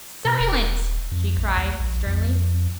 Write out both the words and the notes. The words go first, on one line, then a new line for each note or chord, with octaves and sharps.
"Silence!" she cried, sternly.
B2
D#1
F2
A#1
D#2
A#1
F2